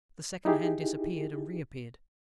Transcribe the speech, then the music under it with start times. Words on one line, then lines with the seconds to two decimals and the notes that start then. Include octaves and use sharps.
The second hand disappeared--and reappeared.
0.45 D#4 E4 G4 G#4